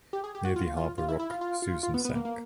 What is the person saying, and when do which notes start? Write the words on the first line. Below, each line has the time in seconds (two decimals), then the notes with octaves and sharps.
Near the Harbour Rock "Susan" sank.
0.13 G4
0.24 G#4
0.35 G4
0.45 F#4
0.56 F4
0.77 F4
0.98 F4
1.08 E4
1.19 E4
1.30 F4
1.41 F4
1.62 F4
1.83 F4
1.94 B3
2.05 B3
2.15 A#3
2.25 A#3